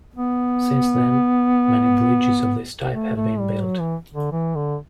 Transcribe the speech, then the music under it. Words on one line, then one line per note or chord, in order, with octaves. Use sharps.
Since then, many bridges of this type have been built.
B3
A3
A3
G3
F#3
E3
D3
E3
D3